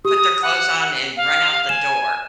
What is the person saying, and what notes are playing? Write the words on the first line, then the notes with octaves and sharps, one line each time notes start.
put their clothes on, and run out the door,
G4 D#6
F#5
F5
G#5 E7